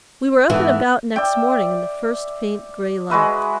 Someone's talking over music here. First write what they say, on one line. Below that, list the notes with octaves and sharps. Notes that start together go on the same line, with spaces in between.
We were up and about next morning in the first faint gray light.
G#2 E3 A3 B3 A4
D5 E5 G5
G#3 F#4 B4 E5